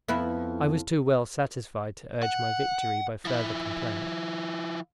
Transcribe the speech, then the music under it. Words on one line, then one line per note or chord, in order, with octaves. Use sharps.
I was too well satisfied to urge my victory by further complaint.
F2 B3 E4
F#5
F3 E4